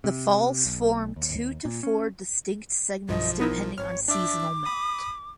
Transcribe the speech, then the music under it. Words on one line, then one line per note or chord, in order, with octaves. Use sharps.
The falls form two to four distinct segments depending on seasonal melt.
C3
B1
D#2
A#2
C#4
B1 G2 F3 D#5
B3 D#4 E4 A#4
G#1 C#5 F6
D4 E5 D6
B5 D#6